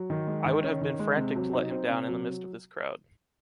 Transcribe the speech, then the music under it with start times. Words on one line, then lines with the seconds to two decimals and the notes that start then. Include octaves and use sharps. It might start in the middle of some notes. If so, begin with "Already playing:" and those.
I would have been frantic to let him down in the mist of this crowd.
Already playing: F#3
0.10 D#3
0.27 G#3
0.46 D#3
0.63 C#4
0.81 D#3
0.99 G#3
1.17 C3
1.36 F#3
1.53 D#4
1.71 C4
1.90 C3
2.08 F#3